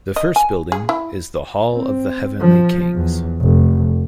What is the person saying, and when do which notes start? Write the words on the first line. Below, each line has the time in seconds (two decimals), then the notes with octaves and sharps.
The first building is the "Hall of the Heavenly Kings".
0.16 D#5
0.36 G#5
0.72 G#4
0.89 E4
1.75 C4
2.40 F3
2.95 E2
3.41 F1